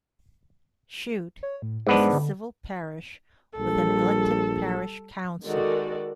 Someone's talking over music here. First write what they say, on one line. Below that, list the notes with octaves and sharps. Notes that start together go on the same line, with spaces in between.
Chute is a civil parish with an elected parish council.
C#5
A2
G#2 G#3 B3 D4
D3
A#1 G3 A4
D#3 G#3 F#4 A4 A#4 D5